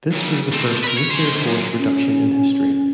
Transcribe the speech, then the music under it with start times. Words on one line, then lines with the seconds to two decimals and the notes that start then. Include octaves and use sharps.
This was the first nuclear force reduction in history.
0.12 F#2 C#3
0.53 A3 C4
0.84 A#4 B4
0.98 C#5
1.11 G#4 C5
1.42 C#2 F#2
1.76 C#4